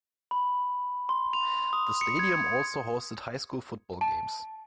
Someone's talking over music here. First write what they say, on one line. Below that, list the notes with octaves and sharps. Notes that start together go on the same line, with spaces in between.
The stadium also hosted high-school football games.
B5
C6
F7
D#6
C#7
G#6
A5